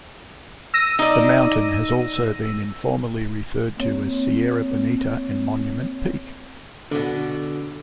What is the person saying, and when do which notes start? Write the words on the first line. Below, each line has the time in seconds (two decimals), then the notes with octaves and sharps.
The mountain has also been informally referred to as Sierra Bonita and Monument Peak.
0.74 E6 A#6 D#7
0.99 D#4 D5
3.77 A#3 C4 C#5
6.91 B2 D3